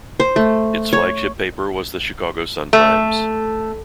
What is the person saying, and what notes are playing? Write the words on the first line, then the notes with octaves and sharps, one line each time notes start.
Its flagship paper was the "Chicago Sun-Times".
C5
A3
C#5
A3